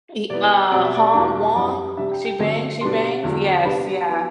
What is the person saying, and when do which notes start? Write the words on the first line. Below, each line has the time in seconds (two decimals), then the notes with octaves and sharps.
Ee uh, Hong Wong, "She Bangs, She Bangs" yes. Yeah.
0.30 C3 G3 B3 E4 D5
0.72 B2 G3 C4 D5
0.83 E5
0.95 D5
1.14 E2 B2 G3 D4
1.55 F#2 E3 G3 D5
1.97 C3 G3 D4 E5
2.12 G5
2.25 G5
2.39 G2 D3 F#3 A3 C4
2.81 B2 G3 B3 D4 C6
3.23 E2 D3 F#3
3.65 C3 G3 B3 D4 B5
4.08 F#3 B3 E4